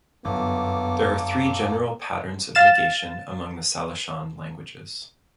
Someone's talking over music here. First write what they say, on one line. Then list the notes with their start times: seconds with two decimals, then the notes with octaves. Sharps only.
There are three general patterns of negation among the Salishan languages.
0.25 G1 F#2 A#3 B3 A4 D6
2.55 F5 A6 E7